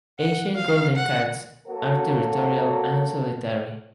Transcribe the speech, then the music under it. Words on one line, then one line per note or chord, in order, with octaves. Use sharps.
Asian golden cats are territorial and solitary.
F#5
F5
F#5
F#3 A#3 F#4 A4